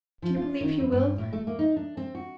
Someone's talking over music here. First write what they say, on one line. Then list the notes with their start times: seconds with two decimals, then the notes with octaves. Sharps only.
"Do you believe he will?"
0.22 F3
0.36 F4
0.61 D#3
0.79 F2
0.92 G2
1.18 A2
1.33 A3
1.47 A#3
1.59 D#4
1.77 D4
1.97 C4
2.15 F#4